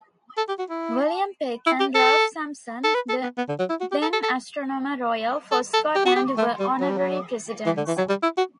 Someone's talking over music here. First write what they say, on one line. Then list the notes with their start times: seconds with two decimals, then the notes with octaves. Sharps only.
William Peck and Ralph Sampson, the then Astronomer Royal for Scotland, were honorary presidents.
0.37 A4
0.48 G4
0.59 F#4
0.70 E4
1.66 E4
1.80 G4
1.95 A4
2.84 A4
2.95 B4
3.09 A4
3.23 B3
3.37 B3
3.48 D3
3.59 F#3
3.69 E4
3.80 F#4
3.91 G4
4.02 A4
4.13 A4
4.23 A4
5.52 A4
5.73 A4
5.95 G4
6.05 F#4
6.16 G4
6.37 A3
6.59 G3
6.80 F#3
6.89 G3
6.98 F#3
7.66 E3
7.77 D3
7.88 E3
7.98 F#3
8.09 G3
8.23 E4
8.37 F#4